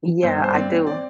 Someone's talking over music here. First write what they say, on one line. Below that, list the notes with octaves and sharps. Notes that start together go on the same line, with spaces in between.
Yeah, I do.
G2 C5
G2 C5
C4 D5
C4
C4 D5